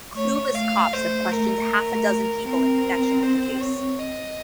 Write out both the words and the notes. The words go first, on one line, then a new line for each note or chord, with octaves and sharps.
Clueless cops have questioned half a dozen people in connection with the case.
A3 C#5
A3 F5
A3 C5
A#4
C4 A#4
C5
C#5
D#5